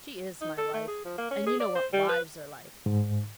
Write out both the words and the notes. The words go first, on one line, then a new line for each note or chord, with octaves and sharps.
She is my wife; and you know what wives are like.
D#4
A4
A3
G#4
F3
A#3
C#4
G#4
D5
C5
G3
B4
G#2